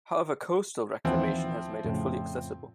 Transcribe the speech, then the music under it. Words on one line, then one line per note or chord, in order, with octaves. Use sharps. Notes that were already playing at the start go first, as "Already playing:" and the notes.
However, coastal reclamation has made it fully accessible.
D#2 E3 F3 C4 E4 F#5
F2 A2 C#3